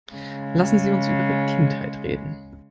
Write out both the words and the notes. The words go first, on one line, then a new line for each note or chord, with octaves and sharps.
Lassen Sie uns über Ihre Kindheit reden.
C#3 G#3